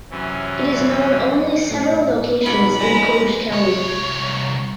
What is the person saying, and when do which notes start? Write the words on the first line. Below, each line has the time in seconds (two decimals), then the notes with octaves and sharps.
It is known only several locations in Cluj County.
0.11 F#2 C3 E3 C#4
1.71 A2
2.46 G#2 B2 F#3 B5
2.78 G#3 A#5
3.52 C2 C#5